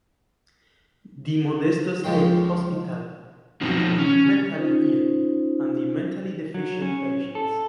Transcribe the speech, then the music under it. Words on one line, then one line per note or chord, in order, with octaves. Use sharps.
The Modesto State Hospital took in the mentally ill and the mentally deficient patients.
C#2 F3 G#3 G5 C6
B2 F3 C4 D#4
C#4
C#4 D#4 F4 C5
F#3
C#4
A4